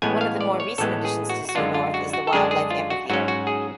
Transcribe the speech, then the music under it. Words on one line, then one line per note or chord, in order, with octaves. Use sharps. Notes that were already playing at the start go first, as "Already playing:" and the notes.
One of the more recent additions to ZooNorth is the Wildlife Amphitheater.
A1 A2 G#3 B3 G#5
F5
D5
C#5
A1 A2 G#3 B3 A4
G#4
F#4
F#4
F#2 D3 G#3 D4 F4
F4
F#4
F#4
A4
F#2 D3 G#3 D4 G#4
G#4
F4
F#4
G#2 F#3 C#4 F#4
F#4
G#4